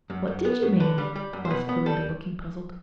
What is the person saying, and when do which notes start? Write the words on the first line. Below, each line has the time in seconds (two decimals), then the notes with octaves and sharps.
"What did you mean, then?" asked Clorinda, looking puzzled.
0.10 F#2
0.27 F#2
0.45 B3
0.62 F#2
0.80 D3 B4
0.98 G3
1.16 G3
1.33 F#2
1.45 C5
1.50 B2 B4
1.69 B3
1.86 G3 A4